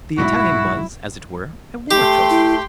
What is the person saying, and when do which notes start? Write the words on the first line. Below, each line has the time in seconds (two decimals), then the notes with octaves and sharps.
The Italian was, as it were, a war trophy.
0.18 B1 G#2 F#3 E4 F#4
1.91 A3 G4 G5 C6
2.30 E4